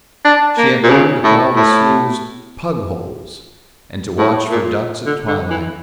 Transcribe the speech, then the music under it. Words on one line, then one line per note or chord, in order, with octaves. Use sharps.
She had learned to call the slews "pugholes," and to watch for ducks at twilight.
D4
A#3
A#2
C#3
A2
A2
A2
A#2
D3
D3
E3